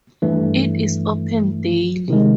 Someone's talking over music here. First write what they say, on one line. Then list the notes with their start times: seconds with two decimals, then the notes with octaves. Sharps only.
It is open daily.
0.22 G2 E3 A3
2.08 C3 D#3 G#3